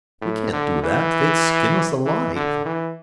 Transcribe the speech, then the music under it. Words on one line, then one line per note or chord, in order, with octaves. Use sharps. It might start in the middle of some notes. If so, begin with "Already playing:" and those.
We can't do that, they'd skin us alive.
A2
D3
E3
E3
D3
E3